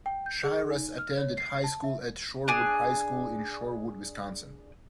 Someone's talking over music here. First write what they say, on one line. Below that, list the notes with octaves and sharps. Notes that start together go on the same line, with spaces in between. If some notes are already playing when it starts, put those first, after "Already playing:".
Shiras attended high school at Shorewood High School in Shorewood, Wisconsin.
G5
G6
G#4
D#4
F6
C#5
C7
A5
E5
D4 G#4